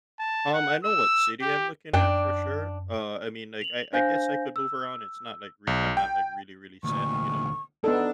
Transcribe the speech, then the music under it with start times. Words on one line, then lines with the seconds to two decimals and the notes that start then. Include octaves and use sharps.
Um, I know what city I'm looking at for sure, uh, I mean, like, I I guess I could move around, it's not like rea I'm not really, really set, you know,
0.20 A5
0.54 F#5
0.84 E6
1.42 G4
1.93 F#2 D4 G5
3.62 F7 F#7
3.93 D4 C5 F5 G#5 G6 A#6
4.56 E6
5.67 B1
5.97 G5
6.84 D2 A#2 C#6
7.84 B3 D4 D#4 A4